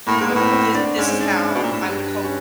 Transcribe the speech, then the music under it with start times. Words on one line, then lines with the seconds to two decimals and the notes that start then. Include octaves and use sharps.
this this is how I would hope
0.07 A2 A#3
0.18 G#2 A#3
0.29 B3
0.35 A2
0.41 C4
0.52 C4
0.75 D4
0.98 G#2 C#4
1.10 C4
1.20 D4
1.55 B2
1.63 A#2
1.72 A2
1.81 G#2
1.88 G2
2.24 C#4